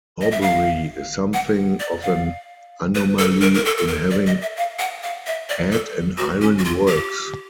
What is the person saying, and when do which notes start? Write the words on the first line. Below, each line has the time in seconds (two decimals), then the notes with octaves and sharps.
Horbury is something of an anomaly in having had an iron works.
0.21 D#5
0.31 E5
0.42 F5
1.34 F#5
1.80 D5
2.03 F5
2.95 B4
3.19 A4
3.42 A#4
3.54 A#4
3.65 A4
3.78 A4
3.88 A#4
4.11 D5
4.26 D#5
4.42 E5
4.57 F5
4.79 F#5
5.03 F5
5.26 E5
5.49 D5
5.72 A4
6.18 F#4
6.42 C#4
6.58 F#4
6.65 F4
6.88 G4